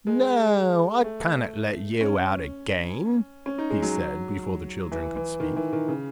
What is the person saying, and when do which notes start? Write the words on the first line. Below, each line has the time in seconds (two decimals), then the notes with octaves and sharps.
"No, I ca'n't let you out again!" he said, before the children could speak.
0.07 G#3
1.04 A3
2.01 C#4
3.46 C#4
3.58 D#4
3.70 G#3
3.82 F#3
4.92 E3
5.16 E3
5.40 D#3
5.56 E3
5.73 D#3
5.88 C#3